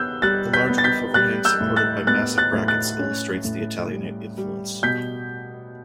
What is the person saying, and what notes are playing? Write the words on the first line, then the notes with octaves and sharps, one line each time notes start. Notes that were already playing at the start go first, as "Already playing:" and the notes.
The large roof overhang supported by massive brackets illustrates the Italianate influence.
Already playing: B3 E6 F#6 G6
G3 F#6 A6
G6 B6
B3
A6
G6 B6
G3 F#6 A6
E6 G6
A2
F#6 A6
B3 F#6 A6
F#6 A6
A2
F#6 A6
C#4
A2
G3
G3
B2 G6 B6